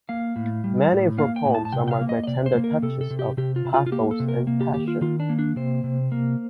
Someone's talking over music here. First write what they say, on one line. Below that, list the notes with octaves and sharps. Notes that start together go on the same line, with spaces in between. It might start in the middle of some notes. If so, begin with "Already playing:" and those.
Many of her poems are marked by tender touches of pathos and passion.
A#3 F5
A2
G3
A2
A#3 F5
G5
A2
A5
A5
C3 G5
G5
F5
A#3
D#5
D#5
C3 D5
C5
A#3
A#4
C3 A4
A4
C3
G4
C3 G4
F4
C3
F4
F4
A#3 G4
A4
C3
A#4
A#3
G4
D#3 G4
F4
D#3 F4
D4
A#3
D4
C3 C5
C3
A#3